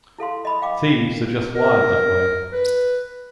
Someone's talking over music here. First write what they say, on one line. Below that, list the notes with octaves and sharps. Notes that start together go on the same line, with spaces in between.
Thieves are just wired that way.
E4 A4 F5 C6
D#5 B5 D#6
F5 G5 D6
A#4
B4